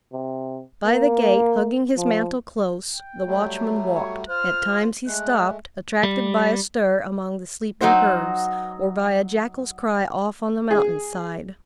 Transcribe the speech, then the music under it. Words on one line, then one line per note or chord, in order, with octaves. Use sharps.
By the gate, hugging his mantle close, the watchman walked; at times he stopped, attracted by a stir among the sleeping herds, or by a jackal's cry off on the mountain-side.
C3
A#3
F3
G5
F#3 G3 A3
C#5
F4 C5 F6
G#3 A3 F#6
G3
F#3 D#4 F#4 C5
G#4